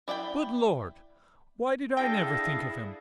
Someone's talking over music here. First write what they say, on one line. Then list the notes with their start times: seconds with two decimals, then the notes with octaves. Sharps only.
Good Lord!--why did I never think of him?
0.08 E4 D5 F#5 G5 B5
1.97 D4 E4 G#4 A4 F5 G5 A#6